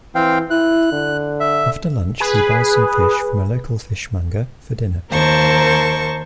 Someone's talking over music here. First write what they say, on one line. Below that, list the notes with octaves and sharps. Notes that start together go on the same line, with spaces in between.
After lunch he buys some fish from a local fishmonger for dinner.
E3 C4 F5 G5
E4 F#6
D3
E5
G#4 B4
D#2 A#4 C5 A5 C#6